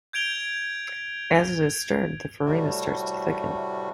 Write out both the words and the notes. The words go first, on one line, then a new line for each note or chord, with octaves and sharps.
As it is stirred, the farina starts to thicken.
G6 G#6 D7 F7 G7
A2 C3 G3 A3 F#4